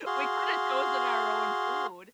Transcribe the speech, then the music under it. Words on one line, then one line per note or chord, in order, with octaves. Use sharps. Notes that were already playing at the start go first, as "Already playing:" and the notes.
We coulda chosen our own food,
F#4 G#4 F5 C6